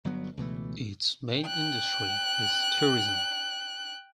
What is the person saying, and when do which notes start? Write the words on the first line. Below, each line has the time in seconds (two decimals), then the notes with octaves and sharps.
Its main industry is tourism.
0.04 G1 F#3 B3
0.37 C#2 B2 E3 A3
1.42 G5 F#6